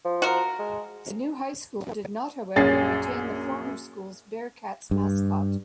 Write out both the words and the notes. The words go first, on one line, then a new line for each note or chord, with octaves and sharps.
The new high school did not, however, retain the former school's "Bearcats" mascot.
F3
F#4 A#4
G#3
A#1 F#2 C#4 G#4 A6 C7
G2